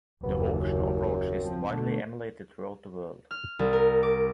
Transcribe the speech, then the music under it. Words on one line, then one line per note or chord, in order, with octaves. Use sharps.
The auction approach is widely emulated throughout the world.
F#1 D#2 B3
F#2
F3 C4
B2 D3 A3
F6
C2
A#4
D6